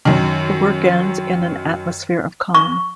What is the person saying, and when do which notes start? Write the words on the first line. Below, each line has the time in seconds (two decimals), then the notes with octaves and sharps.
The work ends in an atmosphere of calm.
0.05 F#2 D#3
2.55 C#6